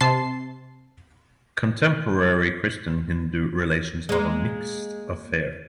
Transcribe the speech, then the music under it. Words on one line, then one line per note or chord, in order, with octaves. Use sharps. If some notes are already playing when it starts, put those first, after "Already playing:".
Contemporary Christian-Hindu relations are a mixed affair.
C3 A5 C6 C7
G#3 A#3